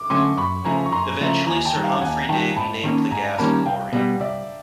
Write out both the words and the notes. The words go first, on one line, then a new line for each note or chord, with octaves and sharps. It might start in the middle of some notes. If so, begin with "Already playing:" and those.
Eventually, Sir Humphry Davy named the gas chlorine.
Already playing: D6
D3 F#3 A3 C#4 C6 D6
F#2 B5 C#6
C#3 F3 A3 G#5 A#5
C#6
F#2 A#5 C6
C#3 F3 A3
D#2 G#5 A#5
G5 A5
D#3 G3
F5 G5
D#2 F#5 G#5
D#3 G3 G5 A5
G#2 A5 B5
D#3 G3 A#3 C#4
G#2 G#5 A#5
D#3 G3 A#3 C#4 A5 B5
C2 F5 G5
B2 G3 B3
C2 D5 E5